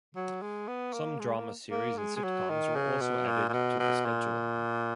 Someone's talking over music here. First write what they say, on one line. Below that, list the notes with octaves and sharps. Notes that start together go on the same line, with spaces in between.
Some drama series and sitcoms were also added to the schedule.
F#3
G#3
B3
A#3
G#3
A#3
A#3
G#3
G#3
F#3
D#3
C#3
B2
A#2
A#2
B2
B2
A#2